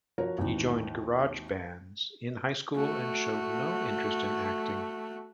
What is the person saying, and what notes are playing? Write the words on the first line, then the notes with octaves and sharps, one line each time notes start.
He joined garage bands in high school and showed no interest in acting.
F3 F#4 A#4 C#5
G#1 D#2 E3
A3 F#4